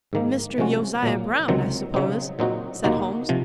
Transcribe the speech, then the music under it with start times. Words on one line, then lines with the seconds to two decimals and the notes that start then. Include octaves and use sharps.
"Mr. Josiah Brown, I suppose?" said Holmes.
0.13 G#2 D#3 A#3
0.58 C3 F3 G#3 C#4 F#4
1.03 A#2 F#3 A#3
1.48 C#2 C3 D#3 F#3 C4
1.94 C#3 F#3 C4 D#4
2.39 A#2 F#3 C4 D#4 F#4
2.84 D#2 D#3 A#3 D#4 F#4
3.29 C3 F3